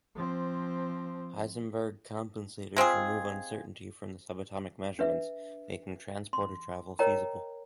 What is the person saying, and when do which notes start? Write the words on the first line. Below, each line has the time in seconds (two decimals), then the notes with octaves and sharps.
Heisenberg compensators remove uncertainty from the subatomic measurements, making transporter travel feasible.
0.15 F3 C4
2.76 G#3 C4 F4 G#4
4.99 D4 B4 E5
6.33 C6
6.99 A#4 C#5 D#5 G5 A#5